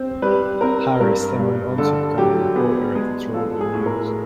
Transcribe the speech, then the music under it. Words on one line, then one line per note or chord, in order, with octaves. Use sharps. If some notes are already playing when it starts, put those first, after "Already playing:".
Harris then went on to become a reporter at the "Toronto News".
Already playing: C4 C5
G3 B4
C4 A#4
G2 A#4
G2
D3 A4
F#3 G4
B3 G#4
G#3 G#4
F3 A4
G#4
A2
A#4